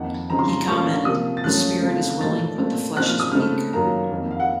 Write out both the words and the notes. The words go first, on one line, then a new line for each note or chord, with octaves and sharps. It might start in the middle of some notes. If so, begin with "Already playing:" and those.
He commented: "The spirit is willing, but the flesh is weak".
Already playing: F2 D#3 A#3 D#4 F#5
C#3 F3 C4 D#4 A#5
C6
A#5
A#2 A3 C#4 F4 C#6
C3 F3 A#3 D#6
A6
F#2 F3 A3 C#4 F#6
C#3 A3 C4 F4
A#2 F3 A3 D#4 A6
A#2 A3 C4
A#2 F3 C4 D#4 F#6
F6
D#6
C#3 A3 C4 D#4 F6
F#2 D#3 A#3 F4 A#5
F2 D#3 A#3
F5
F#5